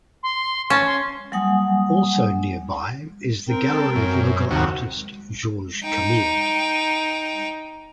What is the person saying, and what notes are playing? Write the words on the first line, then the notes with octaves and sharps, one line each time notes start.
Also nearby is the gallery of local artist Georges Camille.
C6
C#4 A5
C6
F#3 G3 A#3 F#5 G#5 D#6
C4 A#4 G5
A4
F#2
D#2 C3 F#4
D#4 G5